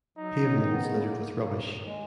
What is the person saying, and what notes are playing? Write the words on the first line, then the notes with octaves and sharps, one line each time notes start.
Pavements littered with rubbish.
F#3 D#4
F#3
D#3
B3
C#3
A#3
A#3
A#3
D#2
D#2
G#3